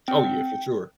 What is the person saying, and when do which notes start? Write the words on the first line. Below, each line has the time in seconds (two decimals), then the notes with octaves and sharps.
Oh, yeah, for sure.
0.08 C4 G5